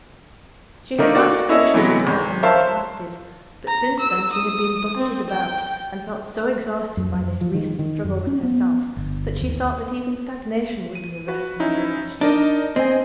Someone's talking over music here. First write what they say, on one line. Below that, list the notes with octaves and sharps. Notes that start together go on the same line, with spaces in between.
She had found it occasionally tiresome while it lasted; but since then she had been buffeted about, and felt so exhausted by this recent struggle with herself, that she thought that even stagnation would be a rest and a refreshment.
D#3 A3 A#3 D4 D#4 A#4
A#3 F#4 D5
C#4 E4 A4 D#5 E5
C3 E3 F#3 G#3 A3 B3
G#1
A#4 C5 C#5 E5 F5 A5
A#5
E6
D#6
C4
G5
F#2
F#2
F3
D#3
D#3
F#2
C#4
B3
G1
D#2
D#7
F#4 B4
C#4 D#4 E4
D4 D#4 A#4 D#5
C4 D#5 G#5